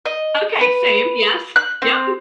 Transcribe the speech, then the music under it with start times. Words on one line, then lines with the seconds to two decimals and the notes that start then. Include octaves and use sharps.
Okay, same, yes. Yup.
0.05 D#5
0.61 B4
1.56 F#6
1.82 C4